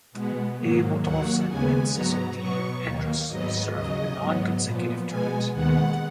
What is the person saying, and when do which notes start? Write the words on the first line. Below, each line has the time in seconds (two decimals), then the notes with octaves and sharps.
A. Bottolfsen and Cecil D. Andrus-served non-consecutive terms.
0.12 B2 G#3 B3
0.57 G#2 D#3 F#3 A#3
1.03 D#2 D#3 F#3 A#3 F#5
1.47 D#2 C#3 G#3 B3 G#5
1.92 G#2 F#3 B3 A#5
2.37 B2 F#3 B3 C#6
2.83 D#2 D#3 A#3
3.28 G#2 F#3 B3 D#5
3.72 D#2 C#3 F#3 D#5
4.18 G#2 F#3 B3
4.62 A#2 F3 B3
5.08 B2 G#3 B3 G#5
5.53 D#2 D#3 G#3 B3 F#5